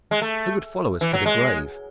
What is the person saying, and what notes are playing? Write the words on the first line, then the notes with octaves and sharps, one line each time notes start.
Who would follow us to the grave?
G#3
A3
E3
F#3
G#3